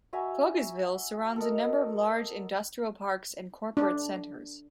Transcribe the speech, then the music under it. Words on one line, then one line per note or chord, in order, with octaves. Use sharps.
Fogelsville surrounds a number of large industrial parks and corporate centers.
F#4 E5 G#5 A#5
A4 A#4 D#5
D4